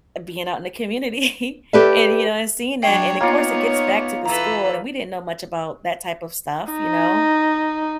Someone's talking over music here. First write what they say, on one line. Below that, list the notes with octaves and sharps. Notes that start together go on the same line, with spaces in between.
being out in the community and, you know, and seeing that, and of course it gets back to the school and we didn't know much about that type of stuff, you know,
G4 A4 B4 D5 E5
F#3 D4 C#5 G5 C7
A#3 B3 D#4 F4 C#5
E3 A4 B4 A#5
D#4